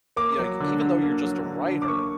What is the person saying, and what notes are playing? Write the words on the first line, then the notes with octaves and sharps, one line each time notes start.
y like, even though you're just a writer,
A#3 D6
F#3
D3
D3
A#3
F#3
D3
D3
D6
A#3 C#6